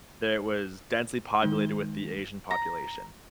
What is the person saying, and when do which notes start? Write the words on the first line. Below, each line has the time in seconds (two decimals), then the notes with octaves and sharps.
it was densely populated with the Asian population,
1.41 D#3 G#3 D#4 G7
2.51 A#5